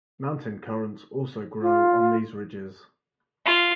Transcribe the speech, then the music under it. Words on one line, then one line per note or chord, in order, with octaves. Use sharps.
Mountain currants also grow on these ridges.
F4
F4